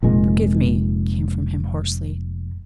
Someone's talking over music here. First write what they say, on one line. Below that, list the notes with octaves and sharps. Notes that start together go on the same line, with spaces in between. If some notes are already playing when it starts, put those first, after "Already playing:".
"Forgive me," came from him hoarsely.
F1 A#2 G#3